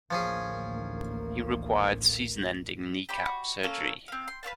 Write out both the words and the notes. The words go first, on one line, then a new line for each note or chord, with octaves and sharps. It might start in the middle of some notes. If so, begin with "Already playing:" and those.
He required season-ending kneecap surgery.
A1 D2 F3 A#3 C#4 G#4
G4 C5 D5 B5
F#4
A#3 C#4 A4 F5
C4 F5
C6
B4 C#5 F5 A5